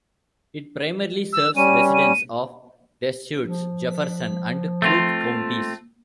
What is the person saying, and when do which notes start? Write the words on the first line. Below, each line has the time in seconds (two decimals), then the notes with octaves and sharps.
It primarily serves residents of Deschutes, Jefferson, and Crook Counties.
1.33 E6
1.57 G3 C#4 D#7
1.94 D#7
3.40 F3
4.82 A3 C4 F4